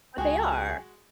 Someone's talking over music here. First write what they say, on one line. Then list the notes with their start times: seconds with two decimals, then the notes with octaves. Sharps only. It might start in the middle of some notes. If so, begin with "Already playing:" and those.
But they are.
0.18 C#2 G#3 F#4 G#4 G5 G#5